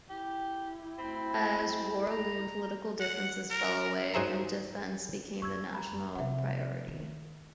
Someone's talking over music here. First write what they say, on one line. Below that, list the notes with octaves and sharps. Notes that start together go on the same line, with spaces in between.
As war loomed, political differences fell away and defense became the national priority.
E4 G4
D2 C4 G5 B5
A#5
F#5
A#4
G#2 F#3 G#4 C5 E5 A#5
F#2 C#6 E6 G#6
A#5 B5
C3 F3 E5 F#5
D#3